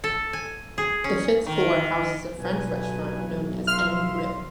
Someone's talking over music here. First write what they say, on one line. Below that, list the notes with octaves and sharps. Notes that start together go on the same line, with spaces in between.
The fifth floor houses a French restaurant known as N Grill.
A4
G#5
G#4
C#4
D#3
B1 G2 B4 G#5
E5 F5 C6 F6